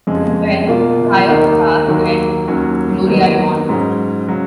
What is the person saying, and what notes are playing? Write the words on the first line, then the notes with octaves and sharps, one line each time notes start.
"Well, hire a car, and — " Gloria yawned.
F2 C#3 G#3
B2 A#3 F4
D#2 D#3 A#3 D#4
D#2 D#3 F#3 A#3
D#2 D#3 F#3 C#4
D#2 D#3 F#3 B3 D#4
G#2 F#3 C#4
C#3 F#3